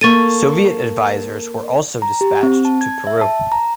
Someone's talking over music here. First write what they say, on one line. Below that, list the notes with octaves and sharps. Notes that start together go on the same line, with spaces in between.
Soviet advisors were also dispatched to Peru.
A#3 A4 C#6 A6 D#7
A#5
G4
C4
A5
G#6
E5
A5
A#5